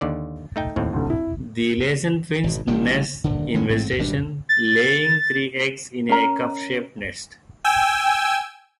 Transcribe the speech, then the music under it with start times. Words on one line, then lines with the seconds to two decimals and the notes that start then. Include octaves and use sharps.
The Laysan finch nests in vegetation, laying three eggs in a cup-shaped nest.
0.01 D#2 D3 D5
0.56 A3 D#4 G5
0.76 D#2 A2 C4
0.93 F1 D2
1.10 E4
2.44 G#1 B2
2.67 A1 C3 D#3 G3
3.24 D#1 D3
3.54 D#3 G#3 B3 C#4
3.69 A1 G#2 C4
3.98 G#1 B2 G3 D4
4.49 A6
6.09 C#4 A#4 A#5
7.64 G5 G#5 E6